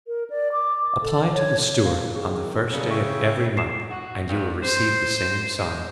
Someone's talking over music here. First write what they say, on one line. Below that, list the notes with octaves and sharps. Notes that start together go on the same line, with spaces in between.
"Apply to the steward on the first day of every month, and you will receive the same sum."
A#4
D5
D6
A4
C#5
G2 F5
E2 D#3 G#4
C#3 F#3 G3 B3
C#5 E5 G5 C#6
C7 E7
F#4
G2
C5
G#3